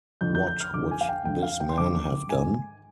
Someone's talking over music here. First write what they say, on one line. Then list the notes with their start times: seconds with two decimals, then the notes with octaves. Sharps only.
What would this man have done?
0.21 F2 D3 F3 G6
0.35 G6
0.47 G6
0.60 F6
0.73 F2 D3 F3 D6
0.91 G#5
1.01 F5
1.09 G5
1.25 F2 D3 F3 G5
1.43 F5
1.60 G5
1.69 C6
1.77 F2 D3 F3 D6
2.30 G#2 D#3 G#5